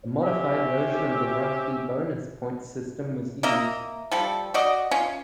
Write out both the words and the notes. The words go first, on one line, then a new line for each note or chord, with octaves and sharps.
A modified version of the rugby bonus points system was used.
C4 C#4 G4 E5
A#3 D#5 E5 A#5
F3 G3 A4
F#4 D5 D#5
C#4 F4